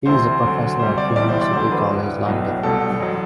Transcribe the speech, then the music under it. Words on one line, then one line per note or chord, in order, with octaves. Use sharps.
He is a professor at University College London.
D2 C3 E3 C5
D2 D3 F#3
D2 C3 G3 C5
D5
B1 A2 E3 G3 D5
C5
D5
E2 D3 F#3 C5
B4
A1 G2 E3
B1 A2 F#3
C2 B2 G3 A4
A1 F#3